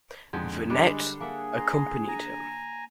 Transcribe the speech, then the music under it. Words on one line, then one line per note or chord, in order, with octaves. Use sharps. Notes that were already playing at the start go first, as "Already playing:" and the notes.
Vernet accompanied him.
F2 D3 G#3 D#4
D3 G3 G#3
A#3 G#4 E5 F#5
A#5 C6
G#5 A#5